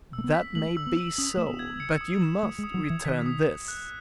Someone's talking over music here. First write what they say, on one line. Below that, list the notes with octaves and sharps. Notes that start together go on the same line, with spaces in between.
"That may be so; but you must return this."
E6
A3
B3
B6
A3 F#7
E6
B3
E6
C#4 D#6
A3 E7
B3
G#6
C#7
D#6
E7
A3 D#6
G#3
D#6
F#3
G#6
E3
D#3 B6
D#6
D#6
F#6